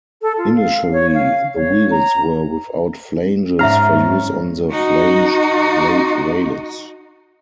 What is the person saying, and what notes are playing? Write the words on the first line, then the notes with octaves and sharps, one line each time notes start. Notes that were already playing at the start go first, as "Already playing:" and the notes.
Initially the wheels were without flanges for use on the flanged plate rails.
A4
F4
F5
C#5
F5
C#5
A#5
G#2 C#4 E5 F#5 A#5 F6
D#4 F#4